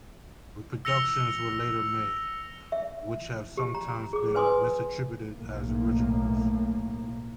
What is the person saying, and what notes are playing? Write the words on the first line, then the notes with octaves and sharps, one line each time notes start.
Reproductions were later made, which have sometimes been misattributed as originals.
E6 A#6 C#7 F7 G7
E5
G4
A#5
G#4 D6
B4 C5 G#5 C6 D6 D#6
B1 A2 A#3